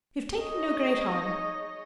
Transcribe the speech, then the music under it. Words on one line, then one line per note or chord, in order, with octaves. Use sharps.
"You've taken no great harm."
D#4 G#4 C#5 D#5